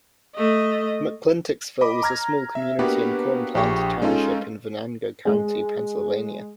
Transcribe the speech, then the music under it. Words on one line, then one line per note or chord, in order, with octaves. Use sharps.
McClintocksville was a small community in Cornplanter Township in Venango County, Pennsylvania.
A3 D#5
D#5 B5 D6
A#5 F6 G#6 A#6
E5
A#3 B3 D4 F#4 G4 B4
A#1 G4 G#4 G5 C#6
G#3 C#4 D#4 F4 A4
G#3